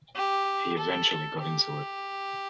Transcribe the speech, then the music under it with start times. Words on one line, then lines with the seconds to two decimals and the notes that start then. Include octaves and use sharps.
He eventually got into it.
0.15 G4
0.77 A4
1.39 G4